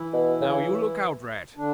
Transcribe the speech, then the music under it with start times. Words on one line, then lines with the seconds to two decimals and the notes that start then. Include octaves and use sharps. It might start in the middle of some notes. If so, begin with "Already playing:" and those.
Now, you look out, Rat!
Already playing: E3 E4
0.13 B2
0.41 C#3
1.57 D3 D4